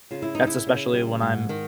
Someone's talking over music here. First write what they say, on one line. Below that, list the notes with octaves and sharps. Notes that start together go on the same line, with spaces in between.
That's especially when I'm
C#3 F4
E4
C#3 D#4
E4
C#3
G3
G#2
D#3